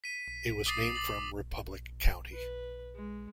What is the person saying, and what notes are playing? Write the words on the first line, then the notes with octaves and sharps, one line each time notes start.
It was named from Republic County.
B6 D#7
D6 D#6 A6 C7
D6 A6 F#7
B4
G#3